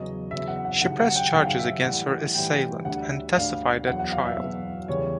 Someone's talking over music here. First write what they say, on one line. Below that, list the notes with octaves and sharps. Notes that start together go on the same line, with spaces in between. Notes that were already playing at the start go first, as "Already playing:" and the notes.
She pressed charges against her assailant and testified at trial.
Already playing: E2 C#3 F#3 D#5
E2 C#3 F#3 E5
F#5
F#5
D#2 C#3 F#3 F#5
F#5
G5
D#2 C#3 F#3 F#5
F5
E5
A2 E3 G3 F#5
A2 E3 G3 G5
D2 D3 G3 F#5
E5
D2 D3 G3 F5
E2 B2 F#3 F#5
F#5
F5
E5
E2 B2 F#3
E2 C#3 E3 G3 C#5